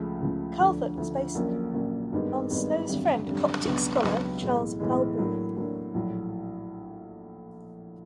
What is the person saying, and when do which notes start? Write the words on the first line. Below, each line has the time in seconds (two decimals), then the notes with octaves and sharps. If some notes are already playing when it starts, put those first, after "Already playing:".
Calvert was based on Snow's friend, Coptic scholar, Charles Allberry.
Already playing: C#2 C#3 F3 A3
0.21 C#2 C#3 F3 A3
0.60 D2 D3 F3
0.97 D2 D3 F3
1.35 A#1 A#2 F#3 A#3 C#4
1.74 A#1 A#2 F#3 A#3 C#4
2.12 G#1 G2 D#3 G#3 B3
2.51 G#1 G2 D#3 G#3 B3
2.89 G#1 F#2 D3 G3
3.26 G#1 F#2 D3 G3
3.65 C#2 B2 F#3 B3 D4
4.03 C#2 B2 F#3 B3 D4
4.42 B1 A2 E3 G#3
4.80 B1 A2 E3 G#3
5.18 A2 F#3 A#3 D4
5.56 A2 F#3 A#3 D4
5.94 A#1 A2 F#3